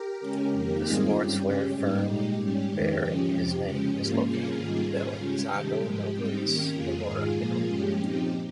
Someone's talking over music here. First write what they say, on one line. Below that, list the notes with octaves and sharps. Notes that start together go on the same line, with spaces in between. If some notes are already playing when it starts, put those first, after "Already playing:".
The sportswear firm bearing his name is located in Bellinzago Novarese, Novara, Italy.
Already playing: G4 A#4
C#3 G#3 C#4
F2 D#3 A#3
G#2 G3 C4 D#4 F4 G#4
G2 G3 C#4 G4
C#3 G#3 C#4
G#2 G3 A#3 D#4 G4
A#2 G#3 D#4
G#2 G3 C#4 G4
F2 D#3 G#3
C#3 F3 G#3 C#4 G4
F2 C3 F3
C#3 F3 G#3 C#4 G4
G#2 F3 A#3 C#4 F4
C3 G3 A#3 C#4 F4 G#4
G#2 D#3 G3 A#3
G#2 G3 C#4 F4 G#4
C#3 G#3 C#4 G4
C3 D#3 G3 G4
G#2 F3 G#3
G#2 G3 C4 D#4
D#3 A#3 C#4 G4 A#4
F2 C#3 G#3 F4 G#4
G#2 D#3 G#3
A#2 F3 A#3
G2 F3 G#3 C#4 G4
A#2 F3 C4 D#4